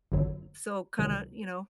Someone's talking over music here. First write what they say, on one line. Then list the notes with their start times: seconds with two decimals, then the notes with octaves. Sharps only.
So, kinda, you know
0.12 G1 F#2 D3 F#3
0.99 C#2 C3 D#3 F#3